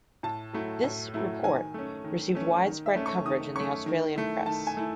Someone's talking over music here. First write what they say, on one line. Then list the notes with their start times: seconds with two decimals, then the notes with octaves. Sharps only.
This Report received widespread coverage in the Australian press.
0.23 A2 A5
0.53 F#3 A3 E4
0.84 A2
1.14 F#3 A3 E4
1.44 D#3 G#5
1.74 A3 C#4
2.04 D#3
2.35 A3 C#4
2.66 D#3
2.86 E5
2.96 A3 C#4
3.06 C#6
3.25 D#3 D#6
3.56 A3 C#4 C#6
3.86 D#3
4.16 A3 E4
4.46 D#3 A5
4.67 G#5
4.77 A3 E4